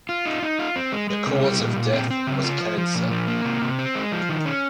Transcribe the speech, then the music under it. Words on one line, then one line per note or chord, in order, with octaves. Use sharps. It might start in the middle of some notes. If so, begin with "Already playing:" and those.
The cause of death was cancer.
F4
D#4
D#4
F4
C4
G#3
G#3
C3
G3
A#2
A#2
C4
C4
C#3
F4
F3
F3
A#2
F3
A#3
C3
C3
C4
G#3
F3
D#3
C#4